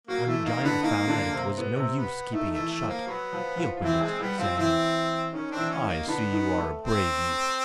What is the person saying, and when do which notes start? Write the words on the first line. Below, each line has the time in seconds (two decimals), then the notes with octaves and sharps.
When the giant found that it was no use keeping it shut, he opened it, saying: 'I see you are a brave youth.
0.08 F#3 A#3 F#4
0.26 E3 A3 E4
0.45 D#3 A#3 D#4
0.63 D3 B3 D4
0.83 D#3 A#3 D#4
1.07 D3 D4
1.32 C3 C4
1.58 B3
1.76 C3 C4
1.95 B3
2.33 D#3 A3 D#4
2.51 A3
2.58 E3 E4
2.70 A3
2.82 F3 F4
2.88 A#3
3.07 F#3 B3 F#4
3.33 F3 F4
3.57 F3 F4
3.77 F4
3.82 E3 C4 E4
4.00 G#3 C4 G#4
4.19 G3 B3 G4
4.38 F3 C4 F4
4.57 E3 C4 E4
5.32 D#3 C#4 D#4
5.51 C4 D4
5.57 E3 E4
5.70 C#4
5.82 D#3 D#4
5.88 A#3
6.07 D3 B3 D4
6.32 D#3 D#4
6.57 A3 A4
6.82 C4